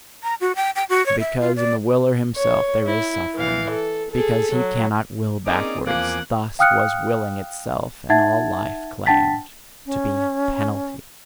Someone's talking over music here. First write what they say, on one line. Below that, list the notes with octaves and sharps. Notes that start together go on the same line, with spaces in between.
And because in the willer himself there is suffering, because he cannot will backwards--thus was Willing itself, and all life, claimed--to be penalty!
A#5
F#4
G5
G5
F#4
C#5
E5
F4
D5
C#5
E4
E3 F5
A4
G#4 A4
F#3
A#3 C4 C#4 D#4 G#4 D5 D6
E2 F3 A#3 F#5 G#5 D6
F5 G5 D#6 F6 F#6 C#7
D#4 E5 F#5 A5 G#6 A6
D4 F#5 G5 A5 A6 B6
C#4